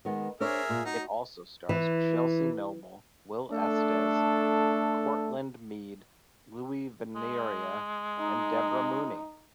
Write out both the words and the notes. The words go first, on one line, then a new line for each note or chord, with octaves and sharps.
It also stars Chelsea Noble, Will Estes, Courtland Mead, Louis Vanaria, and Debra Mooney.
D#3 G#3 B3
D4 G#4 A#4 C5 C#5 E5
A#2
D#4 F#4
E3
A3 D4 A4
G#3
D#4